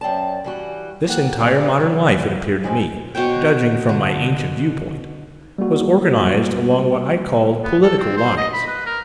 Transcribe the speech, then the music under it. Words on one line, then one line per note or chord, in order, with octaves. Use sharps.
This entire modern life, it appeared to me, judging from my ancient viewpoint, was organized along what I called "political" lines.
F#2 C4 D5 A5
E3 G3 F#4
A#3 G4 F#5
E2 A#2 G3 D5 F5
E3 F#3
E3 G#3 C4
B2 C5 C#5 G5
D3
G3 A#3 F#4
B3
A4
C4
C5
D#5
B5
B4
A#4